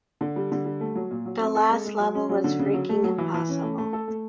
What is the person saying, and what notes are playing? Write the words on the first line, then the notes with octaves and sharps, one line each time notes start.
The last level was freaking impossible!
D3
G3
D3
G3
A3
F#3
A#2
F#3
C4
A4
G#3
G#3
F#3
C#4
F#3
D3
C#3
F#3
A3
F#3
E3
E3
C#4
A3
A3
A4
A3